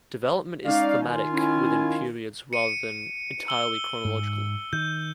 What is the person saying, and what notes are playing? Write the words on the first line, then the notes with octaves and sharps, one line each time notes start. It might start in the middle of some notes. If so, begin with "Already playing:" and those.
Development is thematic within periods rather than entirely chronological.
G#3 C#4 D#4 D5 F5
D#3 F4 G#5
C#4 E4
C#7 D#7
E6 G7
G#2
D#3 G6